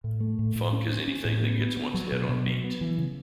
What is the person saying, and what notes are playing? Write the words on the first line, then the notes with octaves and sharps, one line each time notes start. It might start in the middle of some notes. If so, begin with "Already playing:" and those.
Funk is anything that gets one's head on beat.
A2
A3
A2
A2
C#4
C#4
C#4
A2
B3
B3
B3
F#3
B2
B2
F#3
B3
E3
C#3